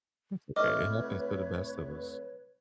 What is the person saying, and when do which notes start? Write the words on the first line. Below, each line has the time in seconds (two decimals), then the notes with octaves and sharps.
That's okay. It happens to the best of us.
0.56 C2 A3 F#4 B4 C#5 D#5 D6 F6